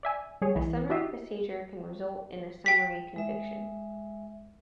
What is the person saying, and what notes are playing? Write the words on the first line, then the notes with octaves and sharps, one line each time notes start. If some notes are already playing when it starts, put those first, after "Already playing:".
A summary procedure can result in a summary conviction.
D5 E5 G#5
G3 G#4 C#5
B1 E3
E4 F#4 G4 D#5 E5
G5 B6
G#3 E5